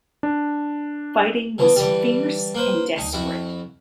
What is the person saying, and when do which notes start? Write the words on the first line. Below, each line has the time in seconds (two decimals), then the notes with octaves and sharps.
Fighting was fierce and desperate.
0.23 D4
1.58 D3 E3 B3
1.76 D3 E3 G3
2.55 A#3 B4 C5
2.96 D2 D#4
3.13 F2 E4 F#4